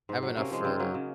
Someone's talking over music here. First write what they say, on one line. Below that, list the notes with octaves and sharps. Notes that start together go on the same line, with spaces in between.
I have enough for
G#2
F#3
C3 A#3 C#4
F3 G#3
C#3 C4 D#4
F#3 A#3 C#4
C#3